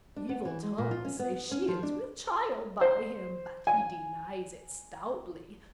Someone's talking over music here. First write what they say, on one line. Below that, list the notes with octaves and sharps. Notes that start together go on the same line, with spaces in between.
Evil tongues say she is with child by him, but he denies it stoutly.
D4
B3
E3
G#3
A#2
F4
C#4
B3
B3
C#4
F3
D4
C5
G#5